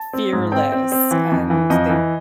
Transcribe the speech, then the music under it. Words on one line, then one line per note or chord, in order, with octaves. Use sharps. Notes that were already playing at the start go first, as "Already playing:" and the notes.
fearless, and they
Already playing: A5
C4
G#2
C4 G5
C4
C4
E3
F2
E3
F2 D#5
E3